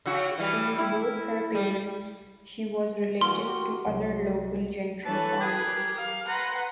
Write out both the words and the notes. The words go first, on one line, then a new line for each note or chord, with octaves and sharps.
Through both her parents she was related to other local gentry families.
C#3 F#4
E3 G3
E4
G3
E3 A#3 F#4 C6
F#4 G4 A#4
C2 F#3 G#3
E3 A4 B4 C#5 A5
G4 G#4 A#4
F5
B4 F#5 A#5 C6